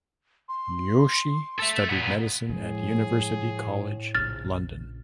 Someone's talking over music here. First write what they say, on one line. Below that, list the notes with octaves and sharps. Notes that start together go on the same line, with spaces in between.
Joshi studied medicine at University College London.
C6
A4 E5
A#2 B3
A2 F3 G#3 G#4
A#1 C#3 F6 A6